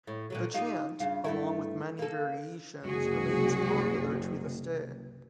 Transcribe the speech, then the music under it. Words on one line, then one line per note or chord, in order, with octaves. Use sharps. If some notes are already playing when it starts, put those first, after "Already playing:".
The chant, along with many variations, remains popular to this day.
A2
A#2 D3 F#3
D#4 F4 G4
G2 C#3 F4
G2 A3 E4
A#3 A4
F#1 C2 G#3 F#4 G#4